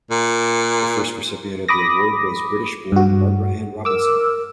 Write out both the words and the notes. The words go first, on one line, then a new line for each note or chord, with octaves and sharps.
The first recipient of the award was British-born Barbara Anne Robinson.
A#2
B5 D6 D#6 A#6
G2 F#4
A#4 D6 E6